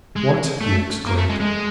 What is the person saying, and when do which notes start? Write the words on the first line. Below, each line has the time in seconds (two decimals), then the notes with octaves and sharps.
"What!" he exclaimed.
0.16 G#3
0.61 A3
1.07 A#3
1.18 A3
1.29 G#3
1.40 G#3